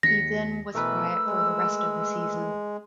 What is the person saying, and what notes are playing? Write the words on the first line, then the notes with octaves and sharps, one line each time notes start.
He then was quiet for the rest of the season.
D#2 A#6 B6 C#7
B2 E3 A3 A#4 B4 E6
G#3